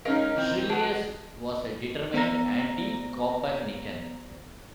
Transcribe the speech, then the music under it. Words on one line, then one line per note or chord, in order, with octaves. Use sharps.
Schyrleus was a determined anticopernican.
G#3 C#4 D#4 A#4 D#5 F5
E3 C4
F#3 B3 D4
B3 C5 D5 A#5 A#6